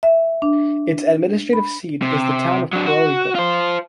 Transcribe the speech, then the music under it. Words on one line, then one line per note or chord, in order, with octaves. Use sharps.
Its administrative seat is the town of Coroico.
E5
D4
B5
C3
F#3 D4
F#4
F4 C5